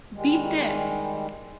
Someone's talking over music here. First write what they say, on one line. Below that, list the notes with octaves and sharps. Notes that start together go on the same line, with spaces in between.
Beat This!
D#3 G3 G#3